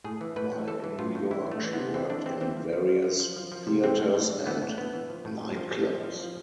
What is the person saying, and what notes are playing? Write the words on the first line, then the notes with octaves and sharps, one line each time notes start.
While in New York she worked in various theaters and nightclubs.
A2 G#4
E3
A2 B4
A2
E3 A4
E3
A2 F4
A2
E3 E4
E3
A3
E3
C3 B3
E3 C4
E3 D4
E3 C4
E3 C4
F3
F3
F3
F3
F3
F3
F3
C3
E3 C4
A2
A2
E3
E3 B3
A2
A2 B3
E3
F3
A2
A2
F3
A2
F3
F3
F3